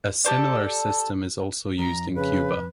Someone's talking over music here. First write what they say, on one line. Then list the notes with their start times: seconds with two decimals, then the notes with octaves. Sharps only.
A similar system is also used in Cuba.
0.24 G4 A4 C5 D5
1.79 F2 A#5
2.16 C#3 B4